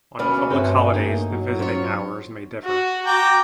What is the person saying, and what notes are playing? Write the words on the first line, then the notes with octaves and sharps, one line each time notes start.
On public holidays the visiting hours may differ.
D2 B2 C#4 D5 B5 F6
G2 A3 C4 B4 C#5 E5
A#3 D#4
F#3
C#4 F4 C5 C#5
F#4
G5 A#5 D6